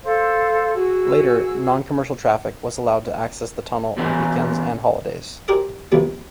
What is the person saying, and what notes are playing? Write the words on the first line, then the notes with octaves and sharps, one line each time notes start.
Later, non-commercial traffic was allowed to access the tunnel on weekends and holidays.
A4 C5 F5
F#4 G#4 E6
B2 E3 C#4 D4 G#4
G4 G#4 A#4 C5 D5 D#5
A#1 D#2 C3 G3 B3